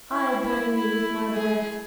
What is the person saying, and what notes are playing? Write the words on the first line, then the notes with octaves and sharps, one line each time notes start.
I burn you with my breath!
E4
E4
E4
G#4